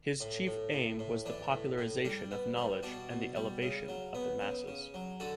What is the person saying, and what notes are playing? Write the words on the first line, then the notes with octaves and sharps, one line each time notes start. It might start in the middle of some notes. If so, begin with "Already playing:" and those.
His chief aim was the popularization of knowledge and the elevation of the masses.
A2
A2
A2
A2
E3 D4
A2
A2
G3 D4
B3
G3
B2 D4 F#4
B2
G3
C#3
F#3
B3
C#3
C#3
F#3
D3 F#4 A4